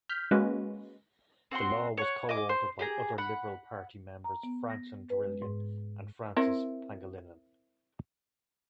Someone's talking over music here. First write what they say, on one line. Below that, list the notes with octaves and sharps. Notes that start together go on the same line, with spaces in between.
The law was co-authored by other Liberal Party members, Franklin Drilon and Francis Pangilinan.
F6 G6 B6
G#3 A#3 C#4 F#4 B4
C4 F#4 F#5 C6
C#5 F#5
D#5 G#5 D6
C5
G4 G#4 A#5
F#5 B5
A#5
B3
A#6
B4
G#3
G#2
C4 E4 A#4